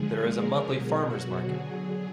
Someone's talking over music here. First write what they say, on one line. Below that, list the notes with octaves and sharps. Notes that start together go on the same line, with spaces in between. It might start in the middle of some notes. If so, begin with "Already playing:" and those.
There is a monthly Farmers' Market.
Already playing: D3 F3 G#3 G#4
A#4
B2 F#3
F#4
D3 F#3 G#4